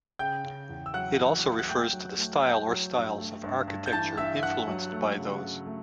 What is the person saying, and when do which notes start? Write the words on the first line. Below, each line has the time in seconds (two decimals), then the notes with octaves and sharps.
It also refers to the style or styles of architecture influenced by those.
0.19 C#3 G5 G6
0.44 C#3
0.69 E2
0.86 E6
0.94 F#3 F#5 F#6
1.18 E2
1.44 F#3
1.59 F#6
1.69 A3 G5 G6
1.93 F#3
2.18 A3
2.43 F#3 G5 G6
2.68 F#3
2.93 G2
3.18 A3
3.43 G2
3.68 G2
3.86 G6
3.93 E3 A5 A6
4.17 G2 E5 E6
4.43 G2 F#5 F#6
4.67 F#3
4.93 A3
5.17 C#3
5.42 C#3
5.67 A3